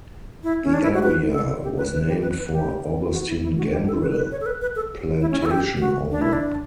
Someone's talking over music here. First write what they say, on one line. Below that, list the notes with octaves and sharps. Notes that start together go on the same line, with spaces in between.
The area was named for Augustine Gambrill, plantation owner.
E4
C#4
D4
E4
F#4
B4
A4
G4
B4
B4
G4
B4
B4
G4
F#4
E4
E4
F#4
G4
A4
B4
B4
C#5
A4
B4
B4
A4
E4
C#4
E4
A4
G4
G4
F#4
D4
E4
D4